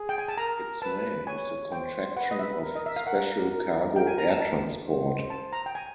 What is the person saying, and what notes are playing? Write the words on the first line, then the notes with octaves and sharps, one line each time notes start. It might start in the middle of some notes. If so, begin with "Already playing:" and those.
Its name is the contraction of Special Cargo Air Transport.
Already playing: G#4
G5
G#5
A5
A#4 A#5
B4 A5
C#5 G#5
C5 G5
B4 F#5
D#5
E5
A#4
D#5
E5
F5
A#4 F#5
A#4
A#4 G5
G#5
A#5
A5
A5
C5
A5
A#5
G5
G#5